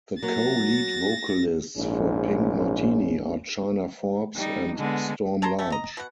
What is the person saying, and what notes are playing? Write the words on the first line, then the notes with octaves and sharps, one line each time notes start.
The co-lead vocalists for Pink Martini are China Forbes and Storm Large.
F#3 A#3 A6 A#6
A#1 G#2 C#4
G3 D#4
D3 G#3 B3
C#5 A5 A#5 C6
A3 C#4
D#5 A#5
B2 F#5